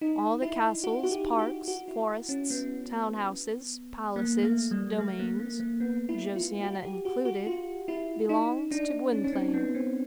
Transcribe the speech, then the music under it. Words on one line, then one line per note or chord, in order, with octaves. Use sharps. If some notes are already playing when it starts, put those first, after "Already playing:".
All the castles, parks, forests, town houses, palaces, domains, Josiana included, belonged to Gwynplaine.
D#4
E4
F#4
F#4
G4
F#4
F#4
E4
C#4
B3
A#3
A3
G3
A3
A#3
A#3
A#3
B3
E4
F4
F#4
G4
F#4
F#4
F4
E4
D#4
D4
C#4
C#4
C4
B3
C4